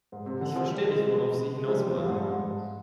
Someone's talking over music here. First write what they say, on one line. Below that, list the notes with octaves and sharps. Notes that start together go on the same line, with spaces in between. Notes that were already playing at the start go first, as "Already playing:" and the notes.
Ich verstehe nicht, worauf Sie hinaus wollen.
G#2
C3
D3
F3
G3
G#3
G#3
F3
G3
F3
G2
G#2
G2
G#2